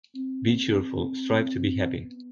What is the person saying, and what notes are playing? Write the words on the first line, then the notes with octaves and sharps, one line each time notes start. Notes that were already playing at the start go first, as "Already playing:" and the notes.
Be cheerful. Strive to be happy.
C4
B3